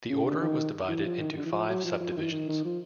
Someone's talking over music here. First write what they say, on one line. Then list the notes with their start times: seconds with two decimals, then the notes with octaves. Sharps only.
The Order was divided into five subdivisions.
0.10 C#3
0.26 D3
0.41 D#3
0.89 E3
1.05 F3
1.21 D#3
1.32 D#3
1.37 D3
1.46 E3
1.52 F3
1.69 F#3
1.85 F3
2.00 F3
2.11 F3
2.17 D#3
2.21 E3
2.32 D#3
2.49 D#3
2.65 F3